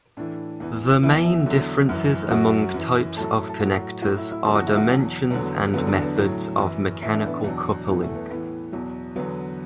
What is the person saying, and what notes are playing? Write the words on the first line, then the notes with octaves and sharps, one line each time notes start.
The main differences among types of connectors are dimensions and methods of mechanical coupling.
A2 E3 D4
E2 E3
E2 E3 E4
E4
E2 D3 F#3
F#2 E3
F#2 F#3 F#4
F#2 E3
A2 F#3 A4
A4
A2 F#3 F#4
A2 F#3 F#4
E4
E4
E2 D3 F#3 A4
F#4
E4
F#4
E2 B2 F#3
E2 D3 F#3 B3
E2 D3 F#3 B3
D4
B3
A2 F#3
F#2 E3
A2 E3 E4
D4
B3
D4
E2 B2 F#3
E2 E3 B3
A3
B3
A2 E3 B3
E2 B2 F#3
E2 D3 F#3 B3